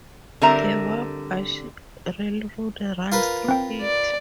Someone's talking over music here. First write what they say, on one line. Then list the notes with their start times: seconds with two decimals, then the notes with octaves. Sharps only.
The Wabash Railroad runs through it.
0.42 D3 G3 C4 A#4 E5 A#5
3.12 F4 A#4 B4
3.48 C4 G5
3.81 D5